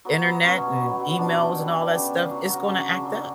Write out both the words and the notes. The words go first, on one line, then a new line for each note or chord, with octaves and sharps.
Internet and emails and all that stuff, it's gonna act up.
F#3 B3
F#3 B3
B2 C#4
B2
F#3
F#3
B2 D4
B2 D4
G3
G3
C#3
C#3
F#3 F#4
F#3 C#4
C#3 D4
C#3
F#3